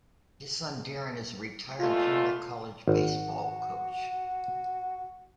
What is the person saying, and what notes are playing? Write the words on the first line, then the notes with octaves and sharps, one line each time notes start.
His son Darren is a retired junior college baseball coach.
E2 G#3 A3 F4
G#1 F#4